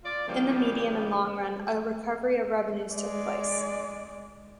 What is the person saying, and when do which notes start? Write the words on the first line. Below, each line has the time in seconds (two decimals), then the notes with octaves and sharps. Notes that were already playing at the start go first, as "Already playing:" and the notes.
In the medium and long run, a recovery of revenues took place.
0.04 F4 D5
0.27 C#3 E3 F3 G3 A#3
2.93 G#3 D5